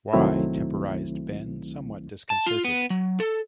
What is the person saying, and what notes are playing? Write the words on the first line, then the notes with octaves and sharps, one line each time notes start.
"Why — " temporized Ben, somewhat disconcerted.
C2 D#3 F#3 A3 C4 E4
A5
F4
B3
F#3
A4